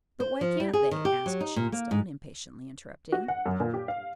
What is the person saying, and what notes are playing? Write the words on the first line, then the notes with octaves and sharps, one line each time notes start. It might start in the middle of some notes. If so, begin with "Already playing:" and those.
"But why can't they?" asked Shenstone, impatiently interrupting.
C5
F3
G3
G#4
D#3
G4
F#3
D#4
A#2
A#3
G#2
F#4
F#5
F#2
A#2
G4
F5